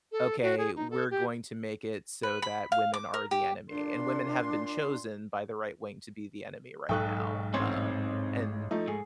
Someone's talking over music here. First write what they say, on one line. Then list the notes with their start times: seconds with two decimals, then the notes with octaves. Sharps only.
"Okay, we're going to make it so that women are the enemy," and women have been chosen by the right wing to be the enemy right now, um, and
0.12 A4
0.42 F#4
0.58 G#4
0.76 D#4
0.90 A4
1.10 G4
2.23 B4
2.42 B5
2.72 F5
2.94 D6
3.14 A#4
3.31 G4
3.70 A#2 D4 C6
6.89 B1 G#2 A4 G5 C#6 D#6 F#6
7.54 A1 C4 D#4 C#5 C6
8.71 F3 A3 D#4
8.88 G#2 G#4